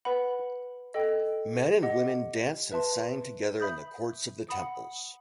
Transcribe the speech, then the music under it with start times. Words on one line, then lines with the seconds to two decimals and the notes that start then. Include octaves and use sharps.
Men and women danced and sang together in the courts of the temples.
0.05 B4 F#5 B5
0.94 A4 D#5 G5
1.82 G4 D#5 F#5
2.72 B4 E5 A5 C6
3.60 E5 B5 D#6 G6
4.49 F#5 B5 D#6